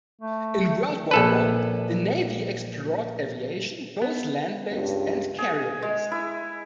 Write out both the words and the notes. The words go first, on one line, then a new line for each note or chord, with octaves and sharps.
In World War One the Navy explored aviation, both land-based and carrier based.
A3
A#1 A4 B4
B3
C#2 G2
G#4
G#3
E4